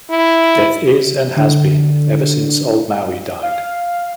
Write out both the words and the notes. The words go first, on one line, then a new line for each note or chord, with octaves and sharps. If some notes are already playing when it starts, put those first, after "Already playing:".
Death is and has been ever since old Maui died.
E4
D3
F5